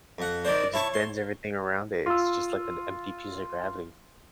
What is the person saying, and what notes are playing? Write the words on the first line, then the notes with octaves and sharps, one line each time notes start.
It just bends everything around it. It's just like an empty piece of gravity.
F2 F#5
D#3 C4 C5 D5
E4 C#5 A5 C#6
C6
F4 E6